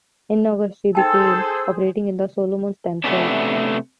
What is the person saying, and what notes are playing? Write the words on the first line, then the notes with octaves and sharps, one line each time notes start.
In August she began operating in the Solomons themselves.
D#4 G#4 A4 C5 G5 A5 E6
C3 A3 B3 C#4 D4